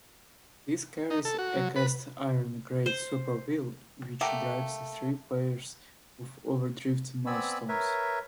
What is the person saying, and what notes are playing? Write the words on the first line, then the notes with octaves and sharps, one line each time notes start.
This carries a cast-iron Great Spur Wheel which drives three pairs of overdrift millstones.
D#4
A4
F#4
F#3
B4
C5
A3 A#3 G4 F#5
B3 C4 D5 G#5 B5 E6
A#4 B4 C#5 E5